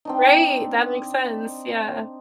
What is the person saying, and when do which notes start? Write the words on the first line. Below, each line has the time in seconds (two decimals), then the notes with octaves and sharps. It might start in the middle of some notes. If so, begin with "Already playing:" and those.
Right, that makes sense, yeah.
0.05 C4 D4 D#4